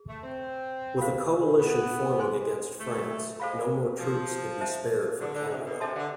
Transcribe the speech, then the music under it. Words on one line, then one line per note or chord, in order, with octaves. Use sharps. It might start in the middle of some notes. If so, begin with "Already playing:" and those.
With a coalition forming against France, no more troops could be spared for Canada.
Already playing: G#4
A3
C4
C5 F5 B5
B3
G#4 C5 G#5 C6
A3
G#3 A4 C5 F5 B5
F3
C5 E5 A5
D3
D3
C3
B2
C3 D4 A4 E5 A5 C6
D3